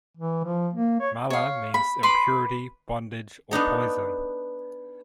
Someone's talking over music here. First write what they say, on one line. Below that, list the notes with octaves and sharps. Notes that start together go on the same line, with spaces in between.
Mala means impurity, bondage or poison.
E3
F3
A#3
C#5
C#5 F5
B5
B4 B5 C6 D6
B3 D4 D#4 A4